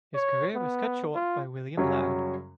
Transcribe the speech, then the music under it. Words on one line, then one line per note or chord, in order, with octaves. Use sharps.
His career was cut short by William Laud.
C#5
B3
F4
F#2 C#3 F#3 G3 C#4